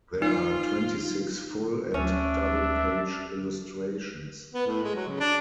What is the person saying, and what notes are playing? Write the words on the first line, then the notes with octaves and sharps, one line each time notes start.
There are twenty-six full and double page illustrations.
D#4 F4
D2 C#4 D4 E5
B3
A2
G#3
F#3
C#3
D4